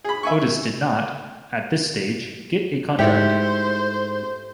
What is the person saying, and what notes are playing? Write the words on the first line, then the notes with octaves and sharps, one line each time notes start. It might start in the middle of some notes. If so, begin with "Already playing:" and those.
Otis did not, at this stage, get a contract.
G#4 B5
E5 G#5 C#6
G#2 A3 E4 G4 C5